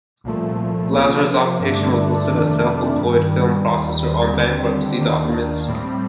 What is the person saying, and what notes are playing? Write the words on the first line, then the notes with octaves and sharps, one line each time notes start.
Lazar's occupation was listed as self-employed film processor on bankruptcy documents.
C2 A#2 F3 A3
C3 F3 A#3
G2 D3 A3 D4
F2 C3 D#3 A3 D4
G2 D#3 G3
D#2 D#3 G3
D#2 D3 G3 C4 G4
D#2 D#3 A#3 D4
A2 G3 C4